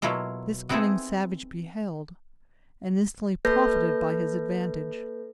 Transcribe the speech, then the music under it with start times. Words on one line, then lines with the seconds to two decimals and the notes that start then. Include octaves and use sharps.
This cunning savage beheld, and instantly profited by his advantage.
0.02 B2 F#3 A#3 E4 F4 A4
0.69 B3 C4 D#4 E4 G#4 A4
3.45 A#3 A4 B4 G6 A#6